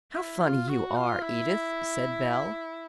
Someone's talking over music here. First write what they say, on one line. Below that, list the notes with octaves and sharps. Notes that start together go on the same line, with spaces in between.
"How funny you are, Edith," said Belle.
E4
F4
F#4
F4
E4